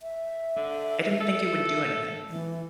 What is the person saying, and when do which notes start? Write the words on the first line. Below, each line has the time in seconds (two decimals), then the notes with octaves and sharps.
I didn't think it would do anything.
0.01 E5
0.56 D3
1.20 A4
2.29 E3